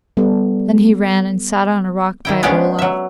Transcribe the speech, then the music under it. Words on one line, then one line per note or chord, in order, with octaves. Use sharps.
Then he ran and sat on a rock by Olaf.
G3 B3 A4
D#3 E4 G5
G#3 B3 C#4 D4 G4 F5
F#3 E5